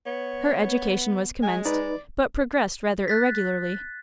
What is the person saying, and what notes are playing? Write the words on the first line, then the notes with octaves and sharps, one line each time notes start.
Her education was commenced, but progressed rather irregularly.
B3 C#5
G#3 G#5
D#4 B4 D5
F#6 A6 B6